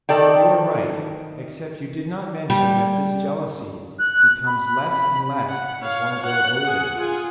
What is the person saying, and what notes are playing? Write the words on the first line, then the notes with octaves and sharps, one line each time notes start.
You are right, except you did not mention that this jealousy becomes less and less as one grows older!
D#3 A4 D5 G5
G3
F#6
B5
B5
F#5
C#5 F5
F#5 F#6
G#4 F#5
F4 G#4